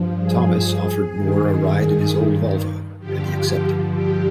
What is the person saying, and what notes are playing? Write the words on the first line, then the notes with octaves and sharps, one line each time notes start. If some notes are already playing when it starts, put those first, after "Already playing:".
Thomas offered Moore a ride in his old Volvo and he accepted.
Already playing: G2 F3
G#4
G2 D#3
G2 D3 F3 G4
G4